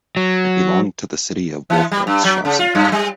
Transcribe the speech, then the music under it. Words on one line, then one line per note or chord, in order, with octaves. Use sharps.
It belonged to the city of Wolfratshausen.
F#3
E3
G3
G2
F#3
C#3
F4
F#2
G3